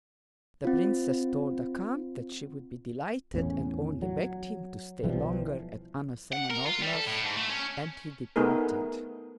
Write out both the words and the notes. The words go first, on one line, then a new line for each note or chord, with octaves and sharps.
The princess told the count that she would be delighted, and only begged him to stay longer at Anna Semenovna's, and he departed.
C4 F4
E2 A2 C#4
F#3
B1 E3 F3 G3
F#5
A#4
F4
G3
A4
A2
G#2
A3
C#4
A3 B3 D#4 G#4 A#4